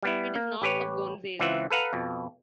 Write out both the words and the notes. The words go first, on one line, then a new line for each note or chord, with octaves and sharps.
It is north of Gonzales.
G3 B3 E4
A#3
A1 G4 B4 C#5
C#2 E3 C4 F4 E5 F#5
A4 B4 F5 F#5 A#5
F2 B2